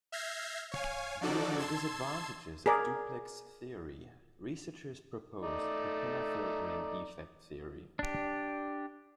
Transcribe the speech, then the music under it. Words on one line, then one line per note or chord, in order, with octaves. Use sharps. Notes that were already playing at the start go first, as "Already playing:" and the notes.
Due to the disadvantages of duplex theory, researchers proposed the pinna filtering effect theory.
E5 F6 G6 G#6 A#6 C7
C#5 F5 G#5
F3 D4 D#4 F#4 A4 D5
A5 C6 E6 G#6
G#4 A#4 D5
A3 D#4 D5
D4 G4